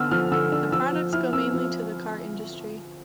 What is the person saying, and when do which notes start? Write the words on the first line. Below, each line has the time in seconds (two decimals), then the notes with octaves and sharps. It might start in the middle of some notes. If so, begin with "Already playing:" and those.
The products go mainly to the car industry.
Already playing: D3 B3 D4 E6 F6
0.11 F3 F6
0.31 D3 E6
0.52 D4 E6
0.72 F3 E6
0.92 F3
1.13 E4 F6
1.33 C4 E6
1.53 F3